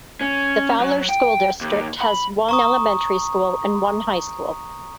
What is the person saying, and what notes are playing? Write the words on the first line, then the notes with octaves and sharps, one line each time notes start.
The Fowler School District has one elementary school and one high school.
C#4
F#3
G5
D#2
B5
A#5 C#6 D#6